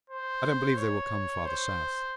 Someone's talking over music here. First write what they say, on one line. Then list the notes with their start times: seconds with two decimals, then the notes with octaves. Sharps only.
I don't believe they will come farther south.
0.10 C5
0.77 C#5
1.46 C5